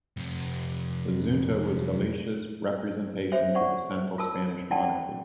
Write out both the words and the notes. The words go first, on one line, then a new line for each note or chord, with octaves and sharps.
The Xunta was Galicia's representation to the central Spanish monarchy.
F2 C3
C5 C#5 E5
D5 F#5 C#6
F4 A#4 A5 E6
E4 F4 D5 F#5 G5 A5